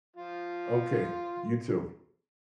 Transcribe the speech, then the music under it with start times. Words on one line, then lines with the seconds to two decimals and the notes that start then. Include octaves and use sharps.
Okay, you too.
0.16 F3 F4